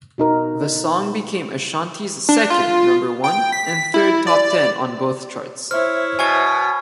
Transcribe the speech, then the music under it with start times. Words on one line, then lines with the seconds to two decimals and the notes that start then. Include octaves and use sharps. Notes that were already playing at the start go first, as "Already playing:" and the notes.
The song became Ashanti's second number one and third top ten on both charts.
0.18 B2 D#4 A#4
2.29 D4
2.50 F4
3.24 G5
3.52 B6
3.94 E4
4.27 D5
5.71 E4 C5 C#5 E5 F6
6.19 B2 G#5 C#6 G#6